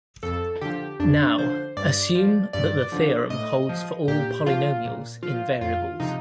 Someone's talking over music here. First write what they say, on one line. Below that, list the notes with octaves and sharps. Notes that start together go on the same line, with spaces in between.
Now, assume that the theorem holds for all polynomials in variables.
F2 A4
D3 F3 G4
F2 D4
D3 F3 C5
G2 D5
F3
G2 D5
D3 F3
A2 D#5
F3
A#2 G4
F3 F4
A#2
F3 F4
F2 F4
C3 F3 D#4